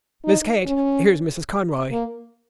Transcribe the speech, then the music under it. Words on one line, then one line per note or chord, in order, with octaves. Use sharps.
"Miss Kate, here's Mrs. Conroy."
D#4
C#4
A#3